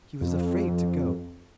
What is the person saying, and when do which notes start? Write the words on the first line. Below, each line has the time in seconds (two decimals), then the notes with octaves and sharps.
He was afraid to go.
0.21 F2